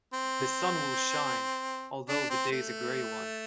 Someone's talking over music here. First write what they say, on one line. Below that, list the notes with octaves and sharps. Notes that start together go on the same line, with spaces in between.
The sun will shine, although the day's a grey one.
C4
D4
C4
A3